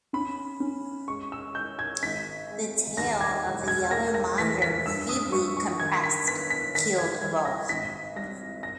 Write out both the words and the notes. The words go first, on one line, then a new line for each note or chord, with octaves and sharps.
The tail of the yellow monitor feebly compressed, keeled above.
C#4 B5
C#4
G#3 C#6
E6
G#3 G6
G#6
G#1 B6
G#3
D#2 A#6
G#6
E1
G#6
A#3 A#6
A#6
E3 B6
B6
G2 E6
D#6
G2 C#6
C#6
D#3 G#6
B6
B3 B6
B6
D#3 B6
G#6
G3 G#6
A#6
G#1 B6
G3 A#6
A#6